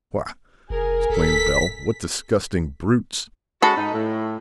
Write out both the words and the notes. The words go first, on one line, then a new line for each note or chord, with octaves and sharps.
"Faugh!" exclaimed Bell, "what disgusting brutes!"
F1 G#4 A#4
D#1 A4 B6
G#3 C#4 F#4 A4 B5
G#2 D#4
A2